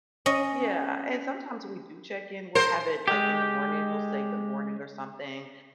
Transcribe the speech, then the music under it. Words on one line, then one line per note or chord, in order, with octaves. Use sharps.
Yeah, and sometimes we do check-in, we'll have it, like, in the morning, he'll say "Good morning" or something, in
C#4 D#5
A#4 C5
G#3 G4